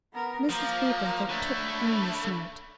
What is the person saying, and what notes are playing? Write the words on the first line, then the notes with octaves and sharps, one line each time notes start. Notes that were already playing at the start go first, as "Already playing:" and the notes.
Mrs. Fairbrother took in this note.
B3 A#4
F3 A#3 A#4
D3 A3 C#5 B5